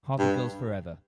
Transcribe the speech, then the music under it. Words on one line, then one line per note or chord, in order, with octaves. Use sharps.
Harvey Girls Forever!
G2